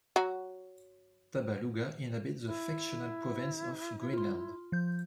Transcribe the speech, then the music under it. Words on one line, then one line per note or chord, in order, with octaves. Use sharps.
Tabaluga inhabits the fictional province of "Greenland".
F#3 F#4
E4
F4 C6
F3 G6